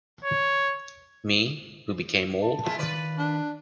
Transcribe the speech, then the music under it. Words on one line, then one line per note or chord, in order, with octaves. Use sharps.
Me, who became old...
C#5
A5
G#3 E4 F4
D#3 F4 B4 D5
D4